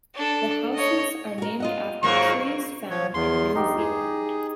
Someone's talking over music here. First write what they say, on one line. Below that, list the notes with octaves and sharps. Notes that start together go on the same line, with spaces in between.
The Houses are named after trees found in New Zealand.
D4 A4
C#5 D#5
F#4 A#4
F4 D#5 F#5
G#2 F#3 A#3 C#6
F3 C#5
E2 C6
G2 D#4 G4
G#4